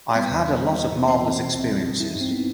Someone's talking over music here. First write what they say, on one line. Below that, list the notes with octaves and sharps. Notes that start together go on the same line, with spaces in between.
I've had a lot of marvellous experiences.
G3 B3
E2
G3 B3
E2
E3
C3
E3 C4
E3
B2 C4
C2
G3
C2
G2 E4
G2 D#4
C4
B3